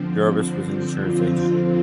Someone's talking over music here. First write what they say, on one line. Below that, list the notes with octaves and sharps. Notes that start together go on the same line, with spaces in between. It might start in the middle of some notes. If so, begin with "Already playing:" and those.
Jarvis was an insurance agent.
Already playing: D3 F3 C4
F2 D3 F3 C4 F4